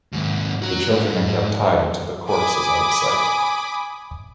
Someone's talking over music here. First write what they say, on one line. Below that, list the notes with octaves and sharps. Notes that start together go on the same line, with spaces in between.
The children are kept tied until the corpse is out of sight.
D#2 G#2
F#4 A#5
G#2
G#5 B5 D6 D#6